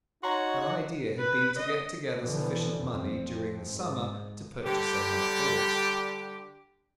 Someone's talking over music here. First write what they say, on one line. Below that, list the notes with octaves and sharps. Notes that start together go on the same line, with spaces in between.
Her idea had been to get together sufficient money during the summer to purchase another horse.
D#4 F#4 C#5 A#5 C6
B4
D#5
B2 D3 E3 F3
F2 C4
G#2
D3 G3 G4